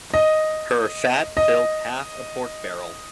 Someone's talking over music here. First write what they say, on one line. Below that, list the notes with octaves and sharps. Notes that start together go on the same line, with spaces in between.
Her fat filled half a pork-barrel.
D#5
D#5